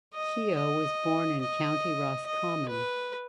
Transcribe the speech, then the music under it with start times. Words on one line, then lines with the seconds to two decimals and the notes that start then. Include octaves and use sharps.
Keogh was born in County Roscommon.
0.14 D#5
0.57 D#5
1.42 D#5
2.27 D#5
2.69 B4